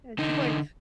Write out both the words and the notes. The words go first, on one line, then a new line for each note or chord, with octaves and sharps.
Yeah, it's important,
D3 D#4